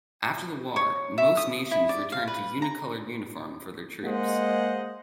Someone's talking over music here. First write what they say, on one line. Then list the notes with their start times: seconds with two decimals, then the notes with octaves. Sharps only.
After the war, most nations returned to a unicoloured uniform for their troops.
0.76 C#5
1.18 E5
1.37 D#6
1.71 E4
1.89 D5
2.12 F5
2.27 B4
2.62 A#5
4.04 G#3 A#3 C5 D#5 F#5